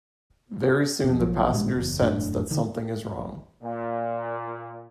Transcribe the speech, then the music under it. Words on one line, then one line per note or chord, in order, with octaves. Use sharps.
Very soon the passengers sense that something is wrong.
F2 B2
A#1 F3 F#3
A1 G2 A#2 G#3
F#1 E2
E1 F#2 A2 D4
D3 D#3
A#2